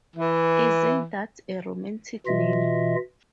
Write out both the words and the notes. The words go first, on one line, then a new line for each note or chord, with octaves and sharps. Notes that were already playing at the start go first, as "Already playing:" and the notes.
Isn’t that a romantic name?
E3
B2 E3 F4 D#5 E5